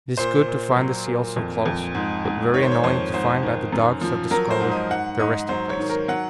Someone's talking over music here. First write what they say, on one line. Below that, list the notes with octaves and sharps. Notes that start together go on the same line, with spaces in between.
It is good to find the seals so close, but very annoying to find that the dogs have discovered their resting-place.
A#2 C5
A#2
F#3
A#2
F2
F2
G#2
G#2
D#3 C#5
C5
C#5
F2 C5
G#2 C5
D#3
F#2
F3
F#3 A#4
C5
G#2
D#5
G#2 F#5
G#2 D#5
F#3 C5
C#5
D#3
A#4
F#3 F#5